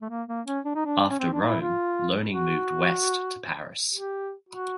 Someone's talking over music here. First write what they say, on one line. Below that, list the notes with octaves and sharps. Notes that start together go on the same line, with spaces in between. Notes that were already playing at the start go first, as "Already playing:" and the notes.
After Rome, learning moved west to Paris.
A3
A#3
A#3
C#4
D4
D#4
D4
C#4
C4
D4
D#4
E4
F4
F#4
G4
F#4